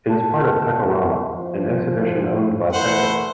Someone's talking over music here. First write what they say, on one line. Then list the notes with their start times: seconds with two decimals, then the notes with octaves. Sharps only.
It is part of Pecorama, an exhibition owned by Peco.
0.09 A5
1.34 F3
2.73 E3 A3 E4 C5 F#5